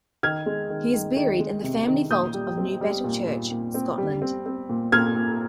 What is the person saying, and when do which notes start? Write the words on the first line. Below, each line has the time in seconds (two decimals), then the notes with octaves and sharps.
He is buried in the family vault of Newbattle Church, Scotland.
0.23 D#3 F6 G#6
0.46 G#3
0.70 D#3
0.94 D#3
1.16 D#3
1.40 G#3
1.63 C3
1.87 D#3
2.10 A#2 D#6 G6
2.34 G3
2.58 C4
2.81 G3
3.04 A#2
3.27 A#2
3.51 A#2
3.74 C4
3.98 G3
4.22 C4
4.46 C4
4.69 A#2
4.92 A#2 F6 G#6
5.16 A#2